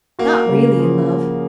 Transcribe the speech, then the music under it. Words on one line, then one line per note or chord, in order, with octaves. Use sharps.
Not really in love.
A#3 F#4
C#3
F3